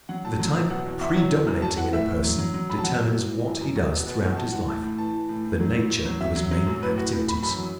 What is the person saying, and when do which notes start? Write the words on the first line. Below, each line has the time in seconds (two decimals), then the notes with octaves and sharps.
The type PREDOMINATING in a person determines WHAT he does throughout his life--the NATURE of his main activities.
0.09 F#3 F#5
0.25 A2 A5
0.40 F#3
0.55 F#3
0.70 B2 F#5
0.86 E2
1.01 E2 E5
1.16 F#3 C#5
1.31 E3
1.47 F#2
1.62 F#2 A5
1.77 E3 F#5
1.93 A2 E5
2.08 A2
2.24 F#3
2.38 F#3
2.54 F#3
2.70 F#2 B5
2.79 A5
2.84 F#3 F#5
3.00 F#2
3.15 E3
3.30 E3
3.46 F#2
3.61 F#2
3.76 F#3 F#4
3.92 B2
4.06 B2
4.22 E2
4.37 E3 A5
4.52 E3 F#5
4.68 A2 A5
4.83 A2
4.98 E3 A5
5.14 E3
5.29 A2
5.45 A2
5.60 F#3
5.75 A2
5.90 A2
6.05 F#3
6.21 F#3 E5
6.36 F#3
6.51 F#3
6.66 F#2
6.81 A2 B4
6.98 E3 F#4
7.13 A2 B4
7.28 E3 B5
7.43 F#2 B5
7.59 F#3